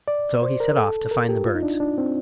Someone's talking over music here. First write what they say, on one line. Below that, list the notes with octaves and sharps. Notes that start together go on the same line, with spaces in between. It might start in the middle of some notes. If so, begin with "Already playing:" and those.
So he set off to find the birds.
D5
C5
A#4
A4
A#4
G4
F4
D#4
D4
D4
C4